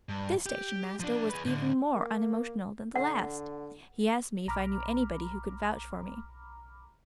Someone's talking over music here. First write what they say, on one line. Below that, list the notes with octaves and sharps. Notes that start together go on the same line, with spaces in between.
This station-master was even more unemotional than the last. He asked me if I knew anybody who could vouch for me.
G2
G4
F3 D4
G#4 B4
A2 D3
A#3
D3 F#5
B1 A#5 B5 D6 F6